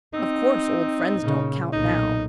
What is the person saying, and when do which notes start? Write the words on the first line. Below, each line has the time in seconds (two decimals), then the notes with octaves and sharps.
Of course old friends don't count now.
0.14 C4 D#4
1.18 A#2 C#3
1.73 B1 A#2 D#4